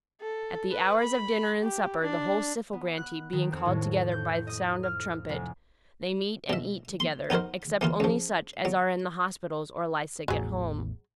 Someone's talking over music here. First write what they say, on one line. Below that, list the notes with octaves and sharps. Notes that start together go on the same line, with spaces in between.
At the hours of dinner and supper the whole Syphogranty being called together by sound of trumpet, they meet and eat together, except only such as are in the hospitals or lie sick at home.
A4
B4
B5
G4
D4
B3
F#6
D#3
F2
A2
G6
D#5
F6
F1
B2 E5
C6
B3 D#4 F#4 A#4 C5
E3 A#3 F4
C#2 F3
F#3
A1 E2 A2 F#3 G#4